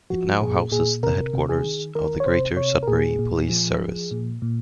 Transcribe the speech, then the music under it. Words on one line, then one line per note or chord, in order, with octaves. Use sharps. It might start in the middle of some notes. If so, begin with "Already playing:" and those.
It now houses the headquarters of the Greater Sudbury Police Service.
F3 F#4
A#2 G#4
A#2 G#4
C3 A#4
C3
G#4
D#3
D#3 A#4
C#5
C3 C5
C3 C#5
A#4
A#2 G#4
A#2
F3
F3
A#2
A#2